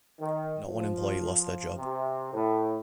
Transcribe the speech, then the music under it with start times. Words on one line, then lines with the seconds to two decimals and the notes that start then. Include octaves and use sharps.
Not one employee lost their job.
0.20 D#3
0.68 F3
1.77 C3
2.33 A2